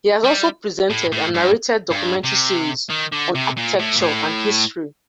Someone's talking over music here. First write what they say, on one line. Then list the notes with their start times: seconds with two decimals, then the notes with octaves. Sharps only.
He has also presented and narrated documentary series on architecture and history.
0.24 G3
0.90 A2
1.12 A2
1.34 G2
1.90 G2
2.24 C3
2.90 D#3
3.13 D3
3.35 C3
3.57 A#2
3.79 A2
3.97 A#2
4.01 A2